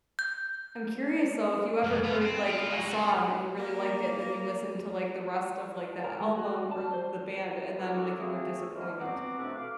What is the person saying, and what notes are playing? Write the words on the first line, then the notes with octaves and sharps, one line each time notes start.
I'm curious though, if you ever heard, like, a song and you really liked it, then you listened to, like, the rest of, like, that album or l the band, and then, like, you were disappointed.
G6
C2 F#2
B3 F4
C4
B3 F4
A#3 F#4
A3 F#4
A#3
A#4
G#3
F#4
A5
C5
C#4 E4 F#4 A4 A#4 D5
A3 A#3 C4 F#4 G#4
A2 E3 F3 G3 G#3 A#3
B2 B3 C4 F#5 A#5 D6
F2 B2 A3 D4 A4 B4
F5 D6